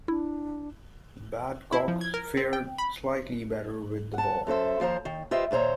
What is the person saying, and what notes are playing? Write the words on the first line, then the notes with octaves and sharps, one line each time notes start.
Badcock fared slightly better with the ball.
D4 E4
E4
F3
G#6
A#4
C4
G5
B5
F#5 A5
F#2 A4 C5 E5
D#2 F3 C5 A#5
D#3
F4 G4 B4 C5 D#5 E5
D#2 A#2 C5 C#5 A#5